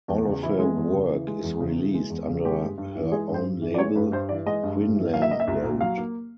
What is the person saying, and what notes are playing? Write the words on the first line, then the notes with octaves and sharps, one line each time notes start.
All of her work is released under her own label, Quinlan Road.
E2
C#3
E3 E4
G#3
E2
C#3
E3
G#3
E2
C#3
E3
G#3
E2
C#3
G#3 G4
G2
G2
E3
G#3 G#4
G2
C5
G2
E3
D5
G#3 C#5
G2 B4
G2 C5
E3 D5
G#3 D#5
G2
G2
E3
F#3 F5
E5
A#3 D#5
E5
C2
A#2
F#3 F5
A#3